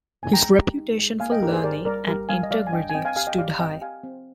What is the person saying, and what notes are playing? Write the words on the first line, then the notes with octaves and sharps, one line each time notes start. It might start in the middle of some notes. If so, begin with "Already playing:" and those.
His reputation for learning and integrity stood high.
G#5
G#3 G5 A#5
G4
D#4
G#3
A#3 F5 G#5
D#5 G5
D#4 G4 A#4
D5
G#4 C5
G4 A#4 D5
G3 A#4 D5
G3 G4 A#4
G3 F5 G#5
D#5
G3 D5 F5
G#5
D4 D#5 G5
G#5
C4 D#5 G5
F5 G#5
G4 F5 G#5
D#5 G5
G4 D5 F5
C4 D#5 G5
G4 F5 G#5
C4